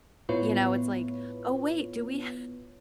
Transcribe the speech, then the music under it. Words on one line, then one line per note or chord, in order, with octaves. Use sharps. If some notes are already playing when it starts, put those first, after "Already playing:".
you know, it's like, "Oh, wait, do we ha"
A2 B3 E4 F4 B4 C#5